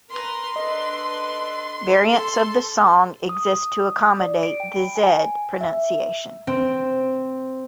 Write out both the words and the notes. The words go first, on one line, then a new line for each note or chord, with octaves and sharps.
Variants of the song exist to accommodate the "zed" pronunciation.
A#4 B4 A#5 C6
D4 A4 B4 D#5
A4 C6
D#6
D#6
D5
D7
G5
B5
G#5
E5
C4